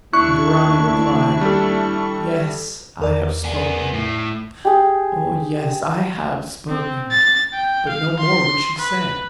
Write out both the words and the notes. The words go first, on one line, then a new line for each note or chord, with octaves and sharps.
And Dorani replied: 'Yes, I have spoken; oh, yes, I have spoken!' But no more would she say.
D#2 D4 E4 C#6 F#6
G3 A4
E2 A#4 D5
B3 G#4
A2
G4 G#4
C4
A6
G5
F5
C6
B4